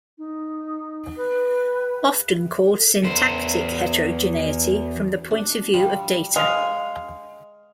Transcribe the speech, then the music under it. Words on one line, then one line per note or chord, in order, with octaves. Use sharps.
Often called syntactic heterogeneity from the point of view of data.
D#4
B4
E2 C5
D4
F3 G3
G#3 F5